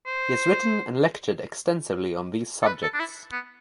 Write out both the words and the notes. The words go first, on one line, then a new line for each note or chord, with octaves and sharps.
He has written and lectured extensively on these subjects.
C5
A4
B4
A4
D4
E4
B3